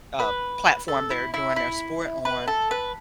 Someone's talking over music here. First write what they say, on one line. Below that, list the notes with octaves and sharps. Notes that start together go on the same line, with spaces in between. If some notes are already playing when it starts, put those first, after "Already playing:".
uh, platform they're doing their sport on.
B4
A4
E4
E4
E4
B4
A4
B4